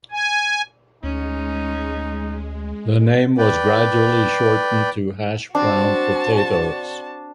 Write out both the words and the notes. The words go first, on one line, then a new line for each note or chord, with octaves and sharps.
The name was gradually shortened to 'hash brown potatoes'.
G#5
D2 G#3 C#4 D#4
B4 D5 G5
C4 D4 F#4 A5